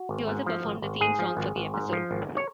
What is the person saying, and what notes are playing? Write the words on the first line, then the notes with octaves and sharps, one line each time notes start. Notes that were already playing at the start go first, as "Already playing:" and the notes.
He also performed the theme song for the episode.
Already playing: F#4
G#1
G#2
F3
G#1
G#1
G#2 G#4
F3
G#1
G#1
G#2
F3
G#1
C#5